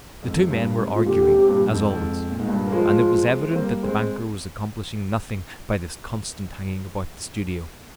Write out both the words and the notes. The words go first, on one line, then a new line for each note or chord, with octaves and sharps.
The two men were arguing, as always, and it was evident that the banker was accomplishing nothing by this constant hanging about the studio.
F2 G#2
C3
G2 A#2
G#2 C3
F4
A#2 D3 G4
D3
G#2 C3
C3
G2 A#2
F2 G#2
F2 G#2
A#2
G#2
G2 A#2
A#3
F3 G#3 F4
C4
G3 A#3
G#3 C4